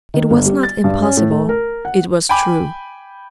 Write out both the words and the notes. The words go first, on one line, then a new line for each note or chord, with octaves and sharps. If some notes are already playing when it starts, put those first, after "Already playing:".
It was not impossible--it was true.
D#3
G1
G3
A6
G2
C#4
A2
A3
A#4
F#5
G5 G#5 B5 D6